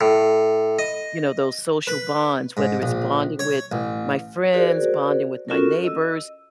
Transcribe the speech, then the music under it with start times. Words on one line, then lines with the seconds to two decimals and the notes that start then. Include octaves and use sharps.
you know, those social bonds, whether it's bonding with my friends, bonding with my neighbors,
0.01 A2
0.79 D#5
1.87 B4
2.57 G#2
2.82 A#1
3.39 C#5
3.72 A1
4.54 F#4 G#4 A#4 C5 D5
5.49 C#4 F4 F#4 A4 A#4
5.84 D#5 E6